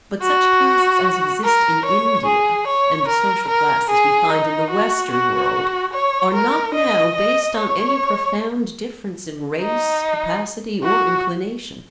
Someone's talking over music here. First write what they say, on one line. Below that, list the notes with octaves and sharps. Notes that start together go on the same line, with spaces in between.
But such castes as exist in India, and the social classes we find in the western world, are not now based on any profound difference in race, capacity, or inclination.
F#4
A#4
C#5
G#4
C#5
A#4
A#4
G#4
D#4
F#4
F#4
C#5
A#4
D#5
D#5
C#5
D#4
F#4